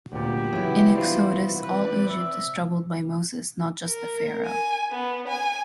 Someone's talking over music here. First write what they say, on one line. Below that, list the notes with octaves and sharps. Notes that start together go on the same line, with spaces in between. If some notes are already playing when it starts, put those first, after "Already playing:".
In Exodus all Egypt is troubled by Moses, not just the Pharaoh.
D2 A#2 G3 B3 F#4 G4
C#3 E3 F#3 E4
D4 F4 C5
C4 B4 D5
E5
A#4
G#5
B3
G#5